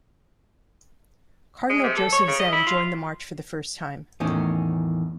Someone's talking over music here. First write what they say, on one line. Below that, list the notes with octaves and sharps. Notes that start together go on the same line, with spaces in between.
Cardinal Joseph Zen joined the march for the first time.
G#3
C3
A4
C#5
C#3
D#5
E4
F4
E2 A2 D#3 C#4